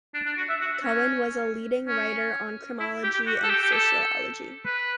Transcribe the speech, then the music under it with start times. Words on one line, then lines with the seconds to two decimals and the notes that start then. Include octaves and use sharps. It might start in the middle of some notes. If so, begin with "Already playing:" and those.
Cohen was a leading writer on Criminology and Sociology.
0.14 D4
0.26 D4
0.37 F#4
0.49 E5
0.61 F#4
0.83 C#4
1.88 C#4
2.80 E4
3.03 G4
3.14 G4
3.26 F#4
3.43 A4
3.50 G4
3.62 G4
3.73 A4
4.65 B4